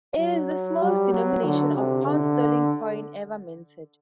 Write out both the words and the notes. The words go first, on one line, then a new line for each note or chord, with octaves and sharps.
It is the smallest denomination of pound sterling coin ever minted.
F#3
G3
F#3
D3
C3
D3